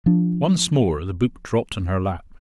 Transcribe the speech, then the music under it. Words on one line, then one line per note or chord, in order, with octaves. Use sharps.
Once more the book dropped on her lap.
F3 D4